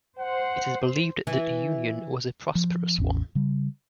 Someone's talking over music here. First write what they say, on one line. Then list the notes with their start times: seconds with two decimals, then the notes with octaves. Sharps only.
It is believed that the union was a prosperous one.
0.19 C5 F#5
1.27 E3
2.55 F3
2.98 A1 E2 C#4
3.35 C#3 G3